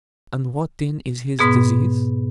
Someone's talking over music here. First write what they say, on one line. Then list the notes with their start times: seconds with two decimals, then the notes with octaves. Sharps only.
'And what then is his disease?'
1.39 G#2 B2 B3 G#4